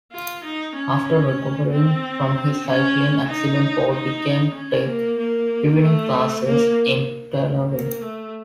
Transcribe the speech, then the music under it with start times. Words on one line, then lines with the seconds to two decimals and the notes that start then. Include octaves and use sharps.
After recovering from his cycling accident Paul began to take evening classes in tailoring.
0.12 F4
0.44 D#4
0.76 C#4
1.70 C4
2.65 C#4
3.28 D#4
3.92 D#4
4.55 C#4
4.85 A#3
5.18 A#3
5.81 A3
6.44 A#3
7.71 A#3
8.02 A3